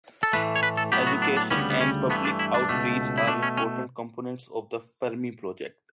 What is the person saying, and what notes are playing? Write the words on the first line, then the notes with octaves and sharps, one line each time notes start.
Education and public outreach are important components of the Fermi project.
A4
A2 E3 A3 B4
C#5
B4
A4
A2 F#3 B3 G4
F#4
D4
D4
D2 C#3 G3 B3 C#4
B3
C#4
G2 E3 A3 B3
D4
E4
D4
C#2 B2 A3
E4
B2 A3 D4
C#4
C#4